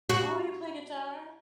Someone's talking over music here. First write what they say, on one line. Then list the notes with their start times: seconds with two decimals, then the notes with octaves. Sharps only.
Oh, you play guitar?
0.09 F#4